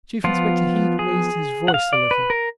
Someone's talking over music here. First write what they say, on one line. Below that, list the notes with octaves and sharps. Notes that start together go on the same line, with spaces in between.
Chief Inspector Heat raised his voice a little.
F3 B3 F4
G#4
F#5
F5
D5
B4
A#4